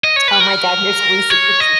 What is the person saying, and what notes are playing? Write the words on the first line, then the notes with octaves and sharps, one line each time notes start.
Oh my God. Here's a recent picture.
D#5
C#5
B4
A#4
C#5
D#5